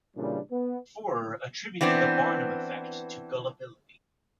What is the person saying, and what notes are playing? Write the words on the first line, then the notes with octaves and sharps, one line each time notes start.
Forer attributed the Barnum effect to gullibility.
A#2 C#3 E3 G3 D4
B3
E3 B3 C4 D4